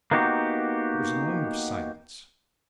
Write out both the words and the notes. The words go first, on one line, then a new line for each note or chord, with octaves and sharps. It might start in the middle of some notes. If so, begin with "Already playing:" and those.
There was a moment of silence.
A#3 B3 D#4 F#4 G4